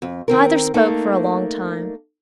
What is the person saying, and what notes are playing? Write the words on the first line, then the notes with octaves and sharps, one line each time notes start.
Neither spoke for a long time.
F2
D#3 C4 A#4
A3 A#3 D4 D#4